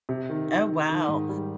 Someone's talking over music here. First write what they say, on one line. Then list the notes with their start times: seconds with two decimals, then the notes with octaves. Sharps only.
Oh, wow.
0.09 C3
0.30 D#3
0.49 D#3
0.69 D#3
0.89 D#3
1.08 G#2
1.29 G3